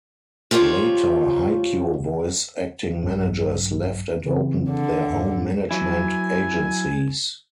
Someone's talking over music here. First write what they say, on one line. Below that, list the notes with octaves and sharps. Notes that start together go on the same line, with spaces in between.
Later, Haikyo voice acting managers left and opened their own management agencies.
F3 F4 G4 C#5 D5
A#1 G2 F#3
C#3 E3 C4
D3
E2 G#2
F#3 E4 G#5